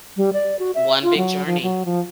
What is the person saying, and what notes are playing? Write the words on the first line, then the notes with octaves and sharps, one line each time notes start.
One big journey,
G3
D5
F#4
E5
F4
F#3
F3
F#3
F3